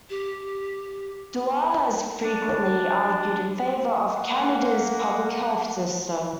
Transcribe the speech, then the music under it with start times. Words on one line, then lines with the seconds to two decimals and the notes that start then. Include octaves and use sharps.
Doer has frequently argued in favour of Canada's public health system.
0.10 G4
2.23 D4
4.10 A#3 F#5